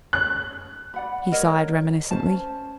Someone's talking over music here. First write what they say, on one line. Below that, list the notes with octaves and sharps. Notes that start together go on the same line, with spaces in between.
He sighed reminiscently.
F#6
D5 F#5 B5
A#4 C#5 D#5
C#4 C5 A5